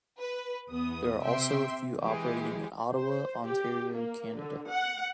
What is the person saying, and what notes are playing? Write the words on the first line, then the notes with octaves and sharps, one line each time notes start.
There are also a few operating in Ottawa, Ontario, Canada.
B4
E2 B3 D#6
C3 E5 G5 C6
E3 G#3 G4 G#4
C5
G4
A#3
D3
F#5